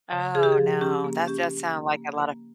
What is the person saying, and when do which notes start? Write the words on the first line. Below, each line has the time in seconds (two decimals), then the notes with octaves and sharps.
Oh, no. That does sound like a lot of
0.12 C#3
0.35 C#3 G#4
0.43 G4
0.52 G#4
0.58 F3
0.81 C#4 G4
1.04 A#3
1.27 C#4 G4
1.51 A#3
1.74 A#3
1.97 A#3
2.20 A#3